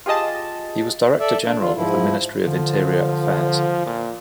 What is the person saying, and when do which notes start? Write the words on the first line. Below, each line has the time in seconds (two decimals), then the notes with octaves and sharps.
He was Director General of the Ministry of Interior Affairs.
0.06 F4 G4 G#4 D#5 A5
1.20 A4 D5 E5
1.45 D4
1.59 D3 F4
1.75 G#2 F3 E4
2.47 D3 F3
3.87 A#2